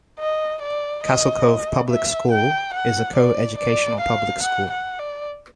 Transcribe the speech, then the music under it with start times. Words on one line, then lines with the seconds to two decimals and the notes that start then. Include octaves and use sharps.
Castle Cove Public School is a co-educational public school.
0.20 D#5
0.62 D5
1.04 D#5
1.89 E5
2.31 G5
2.74 F#5
3.16 D5
3.58 D5
4.01 F5
4.43 F#5
4.71 F#5
4.99 D5